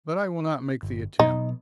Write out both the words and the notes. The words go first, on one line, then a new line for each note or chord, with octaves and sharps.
But I will not make the attempt.
G1
B2 F#3 B3 D#4